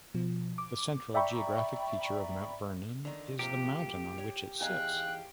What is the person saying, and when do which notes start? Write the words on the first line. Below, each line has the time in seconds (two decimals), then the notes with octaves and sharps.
The central geographic feature of Mount Vernon is the "mountain" on which it sits.
0.14 B2 F3
0.58 D6
1.14 D5 E5 G5 A#5 B5 C#6
3.05 D3 D#3
3.39 C3 F3 A#3 G4
4.18 C#5
4.61 E2 D#4 F5 G5 G#5 F#6